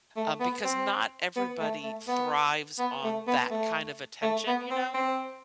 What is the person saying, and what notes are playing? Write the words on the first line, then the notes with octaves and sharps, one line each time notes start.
um, because not everybody thrives on that kind of attention, you know?
A3
B3
C4
B3
A3
A3
B3
B3
A3
B3
A3
A3
B3
C4
C4